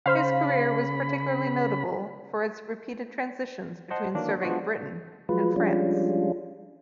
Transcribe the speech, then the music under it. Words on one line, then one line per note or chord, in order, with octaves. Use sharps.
His career was particularly notable for its repeated transitions between serving Britain and France.
C#3 C5 F5 B5
C5 D#5 F#5 A5 C6
D#3 E3 F#3 A#3 D4
F3 G#3 B3 D4 F4 F#4
F3 F#3 G#3 F4 B4
F3 G3 G#3 C#4 D4 F4